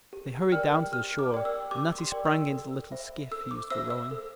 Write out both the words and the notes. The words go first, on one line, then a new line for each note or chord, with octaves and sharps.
They hurried down to the shore and Natty sprang into the little skiff he used for rowing.
G4
A#4 D5 G5 F6
G4 F6
D6
A#4 D5 G5
E6
G4 D6
C6
A#4 D5 G5
E6
A4
C5 E5
A4 E6
D6
C5 E5 E6
E6
A4